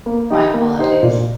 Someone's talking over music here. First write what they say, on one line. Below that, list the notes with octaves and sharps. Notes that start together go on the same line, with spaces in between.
my apologies.
A#3
D#4 G4 D#5
A#3
D#4 G4 C5 D#5
A#2